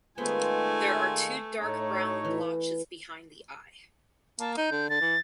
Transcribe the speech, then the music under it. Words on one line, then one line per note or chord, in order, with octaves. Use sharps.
There are two dark brown blotches behind the eye.
D#3 G#3 A3 B3 F4 G#4 C5 G#5
A2 A3 D#4 C#5
E3
A#3 A5
D#4 G6
D3
D3 A6
E3